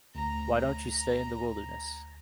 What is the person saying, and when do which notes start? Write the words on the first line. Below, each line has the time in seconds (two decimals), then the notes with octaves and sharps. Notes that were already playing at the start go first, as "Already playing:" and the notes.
Why don't you stay in the wilderness?
0.15 D2 A#5